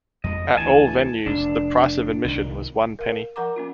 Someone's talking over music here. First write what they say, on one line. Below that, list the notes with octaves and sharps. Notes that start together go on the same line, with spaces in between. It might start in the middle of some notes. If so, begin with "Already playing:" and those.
At all venues the price of admission was one penny.
F2 G#3 D#5
D2 E3 G#5 A5
F1 D4
C2 D#3
A#4 F5
F3 A#4 F#5 A#5 D6
A#3 C#4 F4